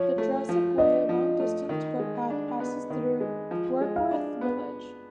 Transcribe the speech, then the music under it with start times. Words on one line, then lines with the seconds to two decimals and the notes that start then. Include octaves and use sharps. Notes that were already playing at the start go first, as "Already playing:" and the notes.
The Jurassic Way long distance footpath passes through Warkworth village.
Already playing: F3 C#5
0.18 A3
0.49 F3
0.78 D4 D#5
1.09 F3
1.40 A3
1.69 D#3
1.99 G#3
2.30 D4
2.60 B3
2.90 D#3
3.21 G#3
3.51 F3
3.81 G#3
3.96 F5
4.11 D4
4.41 B3